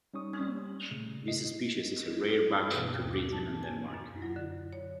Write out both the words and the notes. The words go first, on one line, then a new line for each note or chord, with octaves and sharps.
This species is a rare vagrant to Britain and Denmark.
G3 C#4 D#4 C#5 C#6 D#6
G3
A#2 C#3 A3
D#5 C7
G2
B2
D#2
D6
A5
G#5
F#2
F#3
D3
C#5